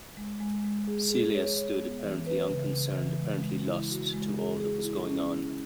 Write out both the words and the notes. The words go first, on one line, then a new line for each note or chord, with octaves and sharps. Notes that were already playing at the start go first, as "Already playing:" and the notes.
Celia stood apparently unconcerned, apparently lost to all that was going on.
G#3
G#3
G#3
G#4
G#4
C#5
C#5
B3
E3
B4
C#3
C#3
E3
G#3
G#3
E4
F#4
G#3
G#4
G#4
E4
C#4
E4